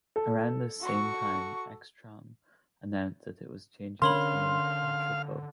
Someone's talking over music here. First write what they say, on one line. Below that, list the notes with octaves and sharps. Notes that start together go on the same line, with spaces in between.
Around this same time, Exatron announced that it was changing its name to Entrepo.
A4
F#4 C#6
D3 C#4 D4 A#4 C#5 F5 B5 C6